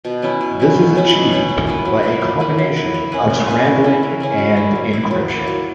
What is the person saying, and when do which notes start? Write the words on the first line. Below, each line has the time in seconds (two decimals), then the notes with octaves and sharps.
This is achieved by a combination of scrambling and encryption.
0.05 B2
0.22 F#3 C#4 E4
0.41 B2
0.60 F#3 C#4 E4
0.77 B2
0.95 F#3 C#4 E4
1.13 B2
1.31 F#3 C#4 E4
1.49 F#3
1.67 A#3 E4 B4
1.85 F#3
2.03 A#3 E4 B4
2.21 F#3
2.40 A#3 E4 B4
2.58 F#3
2.76 A#3 E4 B4
2.94 A#3
3.12 C#4 E4 B4
3.30 A#3
3.48 C#4 E4 B4
3.66 A#3
3.84 C#4 E4 B4
4.03 A#3
4.20 C#4 E4 B4
4.38 F#3
4.56 A#3 E4
4.75 F#3
4.93 A#3 E4
5.11 F#3
5.29 A#3 E4
5.47 F#3